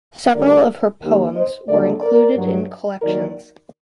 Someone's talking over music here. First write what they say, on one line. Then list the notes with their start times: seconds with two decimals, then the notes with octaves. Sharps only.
Several of her poems were included in collections.
0.34 D2 D3 G3 A#4 D5
1.02 D#2 D#3 G3
1.34 C5 D#5
1.68 D#2 D3 F#3 A#4 D5
2.01 A#4 D5
2.35 G2 F#3
3.02 D#2 D#3 F#3 A#4 D5